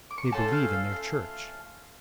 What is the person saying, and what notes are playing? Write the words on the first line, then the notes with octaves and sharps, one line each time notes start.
They believe in their church.
D6
C#6
A#5
A3 C#4 F4 A4 A5
F5
F5
F5